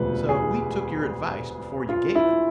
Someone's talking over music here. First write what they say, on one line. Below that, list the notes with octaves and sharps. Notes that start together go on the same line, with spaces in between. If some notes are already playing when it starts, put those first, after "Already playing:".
So we took your advice before you gave it.
Already playing: E1 D2 C3 F3 B4
G#4
F4
E4